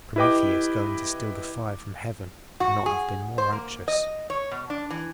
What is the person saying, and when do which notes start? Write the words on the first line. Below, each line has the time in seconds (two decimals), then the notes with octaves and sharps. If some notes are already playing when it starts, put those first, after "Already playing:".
Prometheus going to steal the fire from heaven could not have been more anxious.
0.16 E4 G4 B4 D#5 G5 D6
2.60 F#4
2.86 G#4
3.38 C5
3.52 A#3
3.88 D#5
4.30 C#5
4.51 B2
4.70 D4
4.90 E3